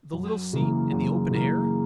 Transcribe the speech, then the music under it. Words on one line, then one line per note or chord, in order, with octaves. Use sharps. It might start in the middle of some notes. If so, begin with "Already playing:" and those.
The little seat in the open air?
F#2
C#3 E3 A#3
F#2
C#3 E3 A#3